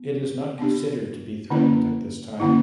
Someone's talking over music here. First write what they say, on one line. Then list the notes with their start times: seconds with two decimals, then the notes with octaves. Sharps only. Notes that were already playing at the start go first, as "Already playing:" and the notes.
It is not considered to be threatened at this time.
Already playing: B3
0.59 B3 D4 G4
1.50 D3 A#3 C#4 E4
2.40 D3 A#3 C#4 E4